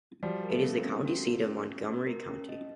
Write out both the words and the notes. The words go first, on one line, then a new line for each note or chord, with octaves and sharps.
It is the county seat of Montgomery County.
F3 G3 F#4
A#4
A3 B3
C#4
A#3 C4
C#4
F#4
A#4
C#4
C#4
F#4
A#4
C#4
D#5